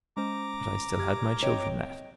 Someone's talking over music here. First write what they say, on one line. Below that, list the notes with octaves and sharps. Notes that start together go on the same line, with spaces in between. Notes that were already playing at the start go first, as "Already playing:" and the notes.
But I still had my children left.
G#3 C#4 C5 A#5 D6
G4 F6 G#6
C4 C#5 D#5 G5 D7